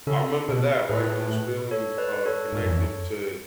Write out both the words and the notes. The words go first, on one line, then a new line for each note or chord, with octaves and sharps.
I remember that, right? Just feeling, uh, connected to
C#3 A4
B2
A2 G#4 B4
A4 C#5
B4 D5
A4 C#5
G#2
F#2
E2
F#2